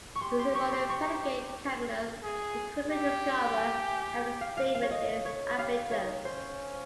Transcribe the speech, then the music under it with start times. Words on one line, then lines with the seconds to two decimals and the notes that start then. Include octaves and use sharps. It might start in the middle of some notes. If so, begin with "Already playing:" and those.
Using modern predicate calculus, we quickly discover that the statement is ambiguous.
0.15 C#6
0.21 G4 C6
0.39 C6
0.55 C#6
0.72 C6
0.89 C#6
2.23 G#4
2.90 G4
3.57 G#5
4.41 F5
4.57 F5
4.75 F5
4.83 C#5
4.91 D#5
5.25 C#5
5.58 G4 F5
5.91 D#4 C#5
6.25 C#4 C5